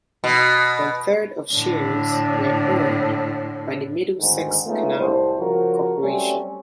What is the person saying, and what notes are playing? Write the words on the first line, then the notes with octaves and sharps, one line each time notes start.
One-third of shares were owned by the Middlesex Canal Corporation.
B2
A2 D3
D2 G#2 D#3
G#3 A3 B3 C#4 D#4 F4
C2 A2 C5
C#3 F3 F#4 A#4
F#3 G3 A3 C4 C#4